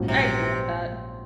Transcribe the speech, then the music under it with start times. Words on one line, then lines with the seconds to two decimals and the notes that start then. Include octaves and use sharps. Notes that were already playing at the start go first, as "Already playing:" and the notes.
I agree with that.
Already playing: A#1 G#2 F#3 C#4
0.08 C3